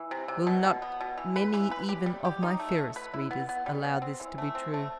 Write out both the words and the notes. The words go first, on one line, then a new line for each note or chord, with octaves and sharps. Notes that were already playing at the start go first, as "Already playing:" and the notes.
Will not many even of my fairest readers allow this to be true?
Already playing: E3
C3
C3
B2
B2
B3
B2
E3
B4
E3
B4
G4
G3
G4
D#4
A3
A3
B4
E4
B3
B3
G3
B3
C4
E3
A3
C4
A3